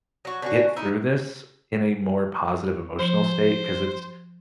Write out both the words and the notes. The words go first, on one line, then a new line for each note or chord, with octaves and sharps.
get through this in a more positive emotional state? 'Cause it's
F#3 F#4
D3 C#4 F#4
D#4 E4
F3 C5